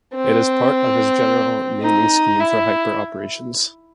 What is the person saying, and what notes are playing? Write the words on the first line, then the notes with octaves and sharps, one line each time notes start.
It is part of his general naming scheme for hyperoperations.
C4
D#4
E4